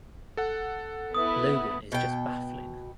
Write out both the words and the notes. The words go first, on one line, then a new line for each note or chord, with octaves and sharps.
Logan is just baffling.
A4 F#5
B3 E4 B4 D#6
B2 G5